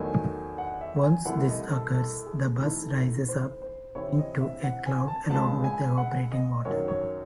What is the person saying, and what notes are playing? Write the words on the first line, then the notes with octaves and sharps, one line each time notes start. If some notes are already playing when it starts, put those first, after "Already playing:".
Once this occurs, the bus rises up into a cloud along with evaporating water.
Already playing: E2 D#3 F#3 A3 G#5
F#5
E5
G#5
C2 C3 E3 A3 F#5
D#5
A4
A4
G#4
C3 E3 A3 D#4 A4
A4
C5
C5
C3 E3 C4 E4 C#5
D#5
E5
F#5
G#5
A5
C#2 C#3 G#3 A5
G#5
F#5
D#5
F#2 D#3 F#3 C#5
C#5